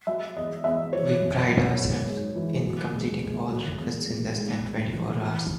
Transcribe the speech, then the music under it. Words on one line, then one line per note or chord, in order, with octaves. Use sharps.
We pride ourselves in completing all requests in less than twenty four hours.
F#3 E5
E2 D#5
E2 E5
E3 C#5
F#2
F#2
G#2
G#2
E3
F#3
C#2
C#2
F#3
E2
E2
G#2
G#2
E3
E3